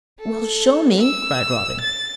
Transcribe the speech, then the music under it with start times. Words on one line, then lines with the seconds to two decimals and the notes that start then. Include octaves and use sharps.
"Well, show me," cried Robin.
0.19 A4
1.00 E6
1.81 A6